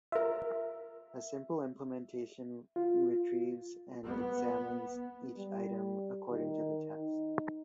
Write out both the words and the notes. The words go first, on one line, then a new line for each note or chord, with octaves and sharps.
A simple implementation retrieves and examines each item according to the test.
F4 A#4 E5
F4
B3
G3
D#3
D#4